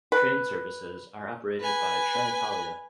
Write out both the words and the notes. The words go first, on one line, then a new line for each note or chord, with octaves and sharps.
Train services are operated by Trenitalia.
B4
B4 G#5